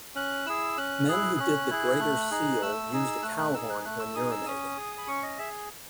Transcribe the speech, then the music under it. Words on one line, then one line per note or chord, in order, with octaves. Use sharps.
Men who did the "greater seal" used a cow-horn when urinating.
C#4 F#6
E4 G#4 E6
C#4 F#6
E4 G#4
C#4
E4 G#4
A3
D#4 G#4
A3 E6
D#4 G#4
A3 F#6
F#6
D#4 G#4 E6
F#6
A3 F#6
E6
D#4 G#4 D#6
E6
C#4 D#6
G#4
B5
C#4 C#6
D#5
G#4 E5